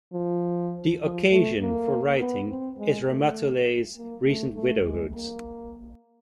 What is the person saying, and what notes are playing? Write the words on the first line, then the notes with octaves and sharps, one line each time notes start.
The occasion for writing is Ramatoulaye's recent widowhood.
F3
F3
A3
A#3
B3
C4
G#3
A3
A#3
A3
A3
G#3
A#3